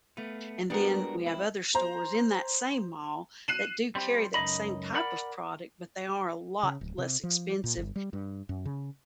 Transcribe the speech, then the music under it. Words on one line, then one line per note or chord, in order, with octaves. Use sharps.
And then we have other stores in that same mall that do carry that same type of product, but they are a lot less expensive,
A3 B3 F5
G3 G#3 B3 D4 F#4 A#4
C4 E4
C5 A#5
F#6 C7 D#7 E7 F#7
G3 C4
C#2 F#2 D#4 D#5 B5
A#4 D5 F#5 B5
C#3
D1
C3
F3
A#2
G1
G3
G2
F#2
C#3